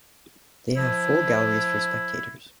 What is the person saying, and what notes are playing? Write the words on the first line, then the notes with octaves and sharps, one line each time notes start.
They have full galleries for spectators.
F3 E4